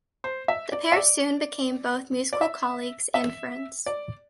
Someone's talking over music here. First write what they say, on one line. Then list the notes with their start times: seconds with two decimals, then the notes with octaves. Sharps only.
The pair soon became both musical colleagues and friends.
0.24 C5
0.48 E5
0.72 D5
0.92 E5
0.96 D5
2.33 D5
2.41 E5
3.14 E5
3.86 D5